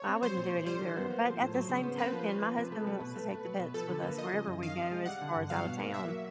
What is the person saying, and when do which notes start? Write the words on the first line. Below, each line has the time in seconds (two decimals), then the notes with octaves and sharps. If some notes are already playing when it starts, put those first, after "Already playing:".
I wouldn't do it either, but at the same token, my husband wants to take the pets with us wherever we go as far as out of town,
Already playing: C#5
0.08 C4
0.22 F#3 C5
0.37 A#2
0.52 C2
0.66 G3 C5
0.81 D#3
0.96 B3
1.10 A#3
1.25 F3
1.40 A2
1.54 F#3
1.69 C#3
1.83 B3
1.98 A#3 B4
2.13 F3
2.28 C#4
2.43 F3
2.57 C3
2.72 A3
2.87 F#3
3.00 B2
3.16 A3
3.31 A3
3.45 F#3
3.60 B2
3.74 F3 A4
3.89 D3
4.03 A#3
4.18 F3 D#5
4.33 C#3
4.47 F#2
4.62 D#3 F5
4.76 C3
4.92 G#3
5.06 G3 F#5
5.21 D3
5.35 G2
5.50 F#3 F5
5.65 B2
5.80 A#3
5.94 A#3 E5
6.08 F#3